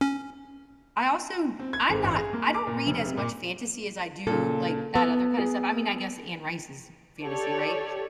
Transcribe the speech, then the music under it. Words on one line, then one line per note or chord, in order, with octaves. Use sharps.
I also d I'm not I don't read as much fantasy as I do like that other kinda stuff I mean, I guess Anne Rice is fantasy, right?
C#4
C4
G#6
G#1
A1
G#4
A#3
D6
A#2
F1
C3
A#2
A#2 C#3 A4
B3 E6
G#4
G4 A4 C#5 D5